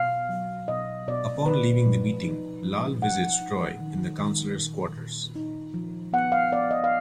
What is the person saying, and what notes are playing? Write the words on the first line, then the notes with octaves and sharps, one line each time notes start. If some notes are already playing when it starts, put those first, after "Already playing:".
Upon leaving the meeting, Lal visits Troi in the counselor's quarters.
Already playing: B2 F5
F#3
B2 D#5
B2 D5
D#4 B4
F3
D#4
F3
D#4 F#5
D#4
D#3
D#3
A#2
A#2
D#4
F3
B3 F#5
F5
B3 D5
D#5
F5